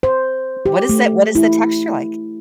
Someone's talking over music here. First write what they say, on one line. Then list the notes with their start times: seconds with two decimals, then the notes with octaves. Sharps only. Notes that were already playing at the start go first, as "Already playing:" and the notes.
What is tha what is the texture like?
0.03 C5
0.66 G4
0.89 A3
1.35 E4